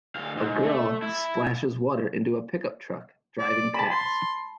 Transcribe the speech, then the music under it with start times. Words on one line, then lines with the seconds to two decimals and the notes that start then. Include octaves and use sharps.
A girl splashes water into a pickup truck driving past.
0.16 D2 F5
0.37 G#2
0.63 A3
1.02 E4
3.39 D5
3.74 A5 B5
3.90 C6